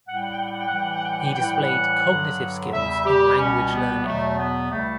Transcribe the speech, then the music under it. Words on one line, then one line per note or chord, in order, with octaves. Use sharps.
He displayed Cognitive skills in language learning.
A2 G3 F#5
G5
F#5
G5
F#5
G5
F#5
G5
F#5
A2 E3 G3 G5
F#5
G5
F#5
G5
F#5
G5
F#5
G5
A2 E3 G3 F#5
G5
F#5
G2 D3 F#3
E2 C#3 G3 E5
G4
C#2 B2 G3 C#4
B3
E2 B2 F#3 A3
B3
C#2 C#3 G3 A3